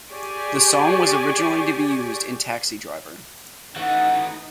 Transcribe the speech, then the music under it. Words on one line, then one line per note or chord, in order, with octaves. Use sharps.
The song was originally to be used in "Taxi Driver".
G4 G#4 D5 G#5 C#6
E3 A3 D#4 F#4 F#5